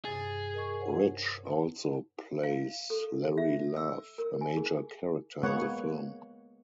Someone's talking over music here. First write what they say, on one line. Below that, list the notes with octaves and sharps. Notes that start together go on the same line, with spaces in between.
Rich also plays Larry Love, a major character in the film.
G2 C3 G#4 A6
A#4 D#5 C#6
C5 C#5 F#5
F5
A4
E5
E6
A#4
G#5
G#4
G#3 A#3 B3 C#5 F#5